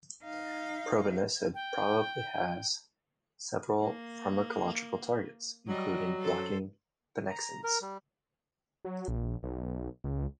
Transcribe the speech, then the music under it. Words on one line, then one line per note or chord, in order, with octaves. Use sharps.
Probenecid probably has several pharmacological targets, including blocking pannexins.
D#4 F5
G5
A#3
F#3 G3 D#5
F#2 A4 C5
A#5
A#4
G3
F#3
A#1
B1
C#2